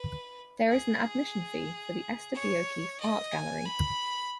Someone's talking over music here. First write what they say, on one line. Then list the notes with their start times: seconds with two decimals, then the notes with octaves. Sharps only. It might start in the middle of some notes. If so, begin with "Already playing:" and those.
There is an admission fee for the Esther B. O'Keeffe Art Gallery.
Already playing: B4
0.69 G#4
2.34 C#5
3.00 D#5
3.32 G#5
3.66 B5